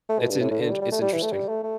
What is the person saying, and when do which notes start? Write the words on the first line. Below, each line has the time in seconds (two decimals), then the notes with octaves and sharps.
It's an int it's interesting.
0.09 A3
0.19 B2
0.30 G2
0.40 A2
0.51 A2
0.61 D3
0.71 G3
0.81 G3
0.92 A3
1.01 G3
1.13 E3
1.23 A3
1.32 G3
1.49 A3
1.63 A3